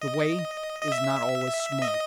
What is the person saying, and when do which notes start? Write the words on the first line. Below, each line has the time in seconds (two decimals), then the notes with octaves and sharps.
The way is not always smooth.
0.02 D#5
0.82 D#5
0.92 E5
1.82 D#5